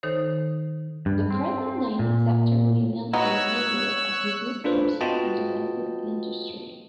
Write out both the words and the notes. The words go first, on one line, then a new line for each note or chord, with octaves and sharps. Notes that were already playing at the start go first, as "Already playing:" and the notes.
The present name is after William A. Naylor, a businessperson in the lumber industry.
D#3 D#4 A4 C5 C#5
G2
C4
A#2
B3 D#4 F#4 C#5 E6 F#6
D4 F4 A4 B4 C5
F4 F#4 B4 D#5 G5 A5